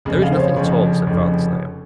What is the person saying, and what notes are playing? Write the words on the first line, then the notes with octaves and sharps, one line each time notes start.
"There is nothing at all," said Father Snail.
F1 F2 C#3
F5
C5
C#5
F1 F2 C#3
F1 F2 C#3